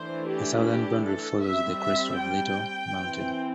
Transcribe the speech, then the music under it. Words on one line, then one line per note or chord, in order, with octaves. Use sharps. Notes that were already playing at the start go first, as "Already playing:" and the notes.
The southern boundary follows the crest of Little Mountain.
Already playing: E3 A3 D4 C5
G4
G4
A4
G3 C4 E5
E5
G5
E3 C4